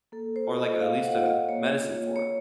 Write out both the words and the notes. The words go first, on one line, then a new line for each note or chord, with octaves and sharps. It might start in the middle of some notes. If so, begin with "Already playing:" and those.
Or, like, at least a medicine for it.
A#3 A4
C5
F4
D#5
A#3 F5
F#5
F4
D#5
A#3 C#5
F4
A#3 C#5